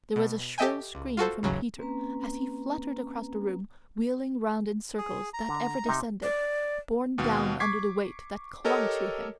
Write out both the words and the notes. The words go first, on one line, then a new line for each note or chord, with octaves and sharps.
There was a shrill scream from Peter as he fluttered across the room, wheeling round in circles that ever descended, borne down under the weight that clung to him.
B2
G4 A4 D#5 E5 G5 G#5
C#2
F4 F#4 A4 C5
A1 D#2 C#3 F#3
A#3 C4 C#4 B4 A#5
G#4
A#5
D3
C3 D#4
D5
D#2 B2
C#6 D6 G#6 B6 C7
G4 A4 A#4 C#5 D#5